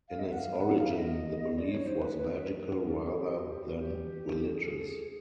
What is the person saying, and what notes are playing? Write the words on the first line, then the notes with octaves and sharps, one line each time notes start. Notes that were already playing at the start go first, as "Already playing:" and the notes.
In its origin the belief was magical rather than religious.
F5
D#5
E5
F#5
F5
F#5
F5
E5
D#5
D5
C#5
C5
B4
B4
A#4
B4
A#4
A4
G4
G#4
G4
F#4
G4
F#4
G4
G#4
A4
G#4
A4
G#4